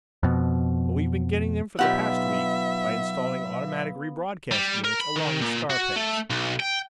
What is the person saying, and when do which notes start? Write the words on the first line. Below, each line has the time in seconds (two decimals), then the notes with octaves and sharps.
But we've been getting them for the past week by installing automatic re-broadcast units along the scar paths.
0.23 F2 B2
1.79 B1 B3 F4 G4 E5 F#5
4.51 G3
4.84 A#4
5.00 B5
5.16 D#3
5.42 A#2
5.70 F#4
5.96 A3
6.30 B1
6.60 G5